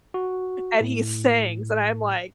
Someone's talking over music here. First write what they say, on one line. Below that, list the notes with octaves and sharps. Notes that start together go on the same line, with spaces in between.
and he sings, and I'm like,
F#4
A2